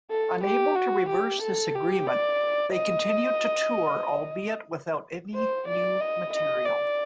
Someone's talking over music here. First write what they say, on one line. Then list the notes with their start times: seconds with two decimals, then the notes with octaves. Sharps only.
Unable to reverse this agreement, they continued to tour albeit without any new material.
0.11 A4
0.44 G4
0.76 F#4
1.09 G4
1.42 A4
1.75 G4
2.07 D5
2.73 D#5
5.35 C5
5.68 D5
6.01 D#5
6.33 D#5
6.66 D5